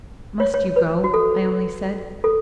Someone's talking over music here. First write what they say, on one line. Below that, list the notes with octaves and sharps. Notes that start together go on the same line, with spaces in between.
"Must you go?" I only said.
C#5
C#5
B4
F#4
A4
A4